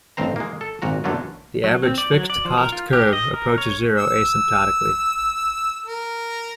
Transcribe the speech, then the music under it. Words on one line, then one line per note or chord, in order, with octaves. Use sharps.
The Average Fixed Cost curve approaches zero asymptotically.
A1 G2 C4 C5 A#5
G#3 A#3
A4
G#1 A#2 F#4 A#5
G1 F#2 D3 F#3 A3 F4
F#3
C4
D5
F#3
D5
F3
A#4
F4
G4
D#5
A#4
C#5
E6
A#4